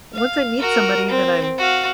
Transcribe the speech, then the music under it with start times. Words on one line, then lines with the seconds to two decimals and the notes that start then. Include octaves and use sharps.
once I meet somebody, then I'm
0.14 F5
0.60 F#4 A#4
1.08 C4
1.58 F#4 F5